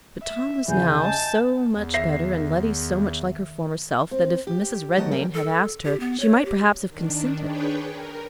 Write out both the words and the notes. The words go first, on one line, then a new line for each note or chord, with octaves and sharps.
But Tom was now so much better, and Letty so much like her former self, that, if Mrs. Redmain had asked her, she might perhaps have consented.
E5
E2 C#3 E3 G#5 G6
D#5 A5
E2
D#3 E5 A#6 C7
C4
G4
E2 F#3 A3 D#5 F#5 G5
D#2 F#3 G3 A#4 G5 G#5
A4
G4
B3
C#5
G4
D#3 D4
D4 G#4 B4 C#5 G5
A#4